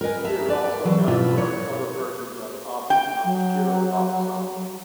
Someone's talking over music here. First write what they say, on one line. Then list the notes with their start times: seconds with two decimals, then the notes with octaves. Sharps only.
She's also known for her cover versions of often obscure pop songs.
0.01 A#4 B4 D#5 G#5
0.25 E5 A5 A#5
0.48 B4 D5
0.85 E3 F#3
1.08 B2 E4 F4
1.38 C#5
2.90 G5
3.24 F#3